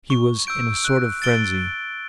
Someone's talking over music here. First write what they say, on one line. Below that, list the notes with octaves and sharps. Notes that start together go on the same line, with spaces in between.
He was in a sort of frenzy.
C#6
E6 G6 D7
F#6
A6 D7 G7